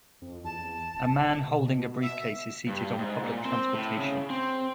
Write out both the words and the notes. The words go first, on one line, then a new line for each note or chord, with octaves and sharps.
A man holding a briefcase is seated on public transportation.
F2
E2 A5
D1
B2
E5
G2
G#2
A#2
C4
A2
C#3
C4